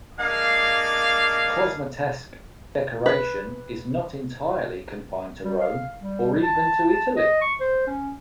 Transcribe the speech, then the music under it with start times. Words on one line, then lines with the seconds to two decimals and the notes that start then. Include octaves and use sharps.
Cosmatesque decoration is not entirely confined to Rome, or even to Italy.
0.19 G#3 A#3 D4 F5
3.06 B4
5.44 G3
5.60 F5
6.00 G3
6.43 A5
6.90 A5
7.17 D#5
7.41 C#6
7.61 C5
7.87 C#4